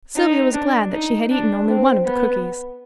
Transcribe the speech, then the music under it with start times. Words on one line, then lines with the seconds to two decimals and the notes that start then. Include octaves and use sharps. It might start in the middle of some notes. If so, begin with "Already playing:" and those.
Sylvia was glad that she had eaten only one of the cookies.
0.16 D#4
0.54 D4
0.92 D#4
1.29 D4
1.67 C4
2.05 B3